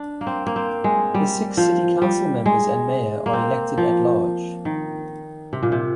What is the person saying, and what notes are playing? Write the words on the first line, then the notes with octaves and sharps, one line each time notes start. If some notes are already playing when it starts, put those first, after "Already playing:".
The six City Council members and Mayor are elected at-large.
Already playing: D4
A#3
C4
A#3
C4
G#3
G3
F3
G3
G#3
A#3
C4
F3
D#3
C3
A#2
C3